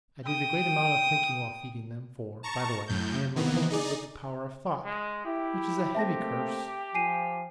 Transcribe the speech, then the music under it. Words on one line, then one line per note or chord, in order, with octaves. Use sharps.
I did a great amount of thinking while feeding them--for, by the way, I am afflicted with the power of thought, which is a heavy curse.
G5 D#6
A5 A#5 C#6
F#2 A2 G6
C3 D#3 E3 A#3 B3
D#4 G#4 D5
G#3
E4 G4
A3 A#3 C4 E5 A5 A#6
F3 G#5 C7 D#7